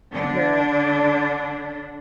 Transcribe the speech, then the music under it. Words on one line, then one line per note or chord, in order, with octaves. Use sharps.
n you're
D3 D4